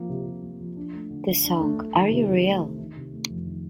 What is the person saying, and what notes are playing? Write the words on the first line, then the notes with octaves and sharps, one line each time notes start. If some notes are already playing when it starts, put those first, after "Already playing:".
The song Are You Real?
Already playing: F3 A#3 C4
C3
C3
A#3
F3
D4
A3
D3
D3
D4
A3
A3
D#3
C3
C3
A3
D#3
D#3
C3
A3
F2
D#3